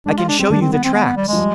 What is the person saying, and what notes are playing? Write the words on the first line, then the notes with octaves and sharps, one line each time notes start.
"I can show you the tracks."
G#3 D4
F4
D4
G3 C4
D#3 D4
C4
B3
C4
B3
B3
G3
F3 G#3
G3